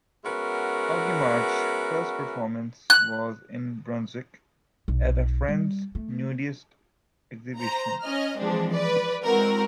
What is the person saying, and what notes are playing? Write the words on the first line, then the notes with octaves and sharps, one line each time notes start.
Augie March's first performance was in Brunswick at a friend's nudist exhibition.
G#3 B3 C#4 F#4 A#4 E5
F#6
B1
G3
A3
C5 A#5
C#4 D#5 F6
E3 F3 G#3 C4 D4
B4 D5
G#3 C4 E4 F#4 A#4